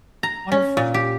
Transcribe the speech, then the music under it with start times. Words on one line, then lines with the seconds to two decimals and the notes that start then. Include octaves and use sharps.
One of
0.23 A#5
0.52 C#4
0.77 A#2
0.94 G4